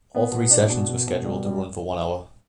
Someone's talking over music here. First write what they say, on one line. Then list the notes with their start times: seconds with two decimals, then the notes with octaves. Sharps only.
All three sessions were scheduled to run for one hour.
0.15 B3
0.32 B2
0.51 D4
0.70 B2
0.88 B2
1.07 B2
1.25 G3
1.45 G3